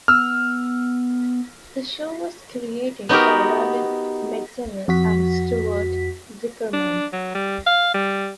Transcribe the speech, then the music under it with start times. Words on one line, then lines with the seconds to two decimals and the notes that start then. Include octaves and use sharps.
The show was created by Raven Metzner and Stuart Zicherman.
0.08 B3 E6 F6
3.09 B3 D#4 F#4 G4 A#4
4.88 F2 F#4 B6
6.73 D4
7.13 F#3
7.35 G3
7.67 F5
7.94 G3